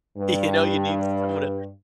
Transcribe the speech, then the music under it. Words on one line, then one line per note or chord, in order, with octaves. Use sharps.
You know, you need someone to
G2